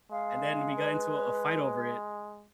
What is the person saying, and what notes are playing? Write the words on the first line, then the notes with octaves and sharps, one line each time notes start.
and then we got into a a fight over it,
G#3 F5
B4